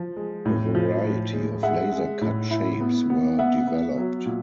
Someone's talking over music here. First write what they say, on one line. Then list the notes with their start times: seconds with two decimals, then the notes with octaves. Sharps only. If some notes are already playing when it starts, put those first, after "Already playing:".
A variety of laser cut shapes were developed.
Already playing: F3
0.16 G#3
0.45 A2
0.75 F3
1.04 A2
1.33 G#3
1.63 G#3 E5 F#5
1.92 G#3
2.21 A2
2.51 E4
2.80 B3
3.10 B3
3.39 B3 E5 F#5
3.67 B3
3.97 F#3
4.26 A#2